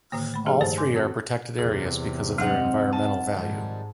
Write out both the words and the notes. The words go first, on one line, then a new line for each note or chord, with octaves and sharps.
All three are protected areas because of their environmental value.
A2 D3 D#3 A#3
A3 B5
F3 D#4 G4 G#4 D#5
G2 D#3 C5 A5 A6
G#5 C6 D6 G6
C4 F#4
E2 C3 G#4
F#3 G#3 C4 D4 D#4 D#5 F#5 F6
F#5 A5
G#2 D#3 F3 G3 G#3